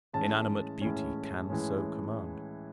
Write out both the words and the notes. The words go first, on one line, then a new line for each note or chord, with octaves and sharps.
Inanimate beauty can so command.
A2 E3 G#3 C#4 A5
A2 E3 G#3 C#4
A2 E3 G#3 C#4